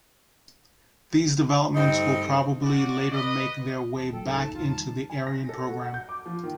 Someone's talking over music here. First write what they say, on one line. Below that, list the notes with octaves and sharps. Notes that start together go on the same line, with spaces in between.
These developments will probably later make their way back into the Ariane programme.
G2 A3 C4 D#4 D#5
C#4 F#4 D5
B4 D#5
E1 A5
G1 A#2 F#3 A4 G5
C#2 A2 F#3 D#4
A#1 C#3 A5
E2 A2 C3 F4
D#3 G3 G#3 A5
G#5
A#6
A4
F#4
F#5
G6
D6
F3
D#3